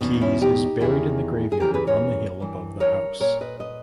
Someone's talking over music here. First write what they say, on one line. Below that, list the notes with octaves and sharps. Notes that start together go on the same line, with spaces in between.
Keys is buried in the graveyard on the hill above the house.
E2 B2 B3 D#4
D#4
C#4 E4
D#4 G4
E2 D#3 E4 G#4
G#4
E2 C#3 E3 G4 A#4
G#4 B4
A#4 C#5
G2 E3
A#4 C#5
A#2 A#4 C#5
B4 D#5
B4 D#5